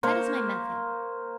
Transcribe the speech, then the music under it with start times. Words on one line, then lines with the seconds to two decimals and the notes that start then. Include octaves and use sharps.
That is my method.
0.03 A#3 C5 C#6